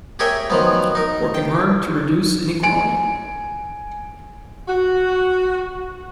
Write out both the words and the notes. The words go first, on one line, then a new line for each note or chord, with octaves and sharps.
Working hard to reduce inequality.
G4 G#4 A#4 C#5 E5 G5
D#3 F3 F#3 B3
D#4 A#4
G5
G#5 D7
F#4